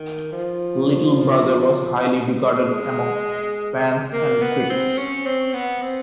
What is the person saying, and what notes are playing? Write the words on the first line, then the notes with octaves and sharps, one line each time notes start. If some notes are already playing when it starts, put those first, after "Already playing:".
Little Brother was highly regarded among fans and critics.
Already playing: D#3
F3
G#3
A#3
B3
C4
C#4
C4
B3
C4